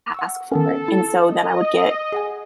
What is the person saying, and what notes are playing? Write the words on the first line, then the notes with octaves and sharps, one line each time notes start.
ask for it, and so then I would get
F#5 C#6 E6
D#3 B3 C#4 A4
E4
D#5
E6
G#4 F#5 G#5